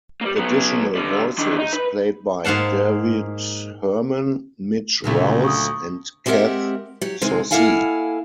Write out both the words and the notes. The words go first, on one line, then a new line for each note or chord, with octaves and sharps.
Additional voices played by David Herman, Mitch Rouse and Kath Soucie.
G3 A#3
F#3 B3
D3 G3
D#3 D4
D#4
B4
G#2 A#3 F5 F#5 A5
D2 A#2 C#3 F#3 A3
C#6 D#6
G#3 C4 G4 A#4 E5 F#5
F#3 G4
C3 D#3 G#3 C4
A#3 E4 A4 F5 F#5 G#5